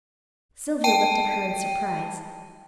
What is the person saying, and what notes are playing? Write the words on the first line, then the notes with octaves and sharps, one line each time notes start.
Sylvia looked at her in surprise.
G5 A5 D#7